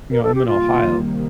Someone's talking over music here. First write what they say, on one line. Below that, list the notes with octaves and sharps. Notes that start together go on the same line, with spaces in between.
you know, I'm in Ohio.
A#4
A4
G4
C3 D#3 G3 A#3 F4